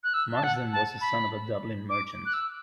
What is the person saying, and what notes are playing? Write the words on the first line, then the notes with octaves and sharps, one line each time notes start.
Marsden was the son of a Dublin merchant.
F#6
E6
A5
F#5
A5
B5
D6
F#6
E6